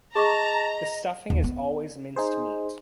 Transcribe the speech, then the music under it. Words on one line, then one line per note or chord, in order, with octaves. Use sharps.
The stuffing is always minced meat.
G#4 D#5 A5 A#5 C#6 D6
D#2
B3
D#4 G#4 C5